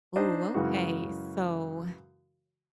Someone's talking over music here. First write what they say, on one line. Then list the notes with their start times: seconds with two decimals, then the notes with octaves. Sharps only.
Ooh, okay. So
0.16 D4 D#4 C5 D#5
0.54 F#2 C#3 E3 G#3 F#4